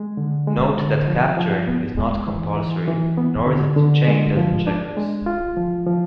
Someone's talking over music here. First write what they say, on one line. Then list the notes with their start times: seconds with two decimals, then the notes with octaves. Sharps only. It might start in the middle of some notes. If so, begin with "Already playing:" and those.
Note that capturing is not compulsory, nor is it "chained" as in checkers.
Already playing: G#3
0.17 D3
0.48 G#3
0.77 D3
1.08 F3
1.37 F3
1.67 B3
1.97 G#3
2.27 E3
2.57 E3
2.87 E3
3.17 B3
3.46 D3
3.76 D3
4.07 G#3
4.37 F3
4.67 D4
4.97 G#3
5.26 F4
5.57 F3
5.87 F3